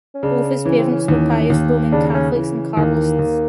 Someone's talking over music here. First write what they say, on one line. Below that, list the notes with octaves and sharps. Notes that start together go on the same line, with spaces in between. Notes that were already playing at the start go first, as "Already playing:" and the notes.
Both his parents were pious Roman Catholics and Carlists.
C#4
C#3 D4
E3 C#4
C4
C#4
D#2
D#2
C#3 D4
C#4
E3
D#2 A#3
D#2